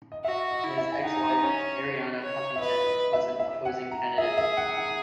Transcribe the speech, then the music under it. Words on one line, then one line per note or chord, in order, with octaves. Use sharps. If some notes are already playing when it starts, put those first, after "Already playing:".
His ex-wife, Arianna Huffington, was an opposing candidate.
D#5
F#4 E5
D#5
E4
E5
G#5
D#4 F#5
G#5
A#5
C#4 G#5
C#5
E5
B4 D#5
D#5
E5
E5
F#5
A#5
G#4 E5
E5
F#5
F#5